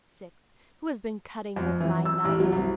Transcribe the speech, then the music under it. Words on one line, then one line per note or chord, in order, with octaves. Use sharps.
The sixth, "Who has been cutting with my knife?"
F2
E3
E6
A1
F#3
C2